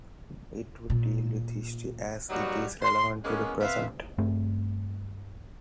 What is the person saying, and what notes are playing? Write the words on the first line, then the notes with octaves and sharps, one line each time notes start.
It would deal with history as it is relevant to the present.
A#2
F#3 G3 A#3 B3 D#4 F#4
C6
G#3 A#3 B3 C#4
B3 C4 B4 E5 F5
G2 A3 C4